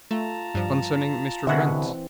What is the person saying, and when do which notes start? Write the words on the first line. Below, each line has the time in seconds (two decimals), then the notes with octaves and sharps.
"Concerning Mr. Wrent."
0.11 A3 F4 A5 A#5
0.54 G2 F3
1.47 C2 B2 D3 E3 G#3 C4 E5 F#5